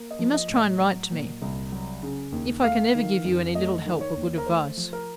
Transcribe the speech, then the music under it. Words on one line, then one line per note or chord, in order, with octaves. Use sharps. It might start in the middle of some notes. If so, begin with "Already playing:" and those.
You must try and write to me, if I can ever give you any little help or good advice.
Already playing: A#3
D#5
F3
D#5
A2
D#5
F#3
A#2
C2
F#3
C#3
D#2
A3 F5
D#3
F2
A3 D#5
D#3
C#5
D#2
A#4
A3 C5
F3
A#4